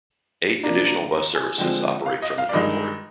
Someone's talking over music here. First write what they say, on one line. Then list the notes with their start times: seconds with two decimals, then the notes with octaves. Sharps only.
Eight additional bus services operate from the airport.
0.63 C3 F3 A#3 D4 A#5
0.87 A#5
1.11 A#5
1.35 G#5
1.58 D3 F3 G#3 C4 G5
2.06 F5
2.22 D#5
2.38 F5
2.49 D5
2.53 G2 D#3 G#3 D#5